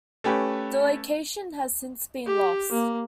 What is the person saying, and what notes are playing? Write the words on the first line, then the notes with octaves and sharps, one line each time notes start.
The location has since been lost.
A3 C#4 G4 B4
G4
A#3